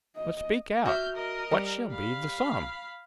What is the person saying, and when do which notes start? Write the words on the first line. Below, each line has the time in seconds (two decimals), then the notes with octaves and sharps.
But speak out--what shall be the sum?'
0.16 D#5
0.86 F#4 E5 F6 G6
1.15 A#4 D#5
1.51 G3
1.92 F5 B5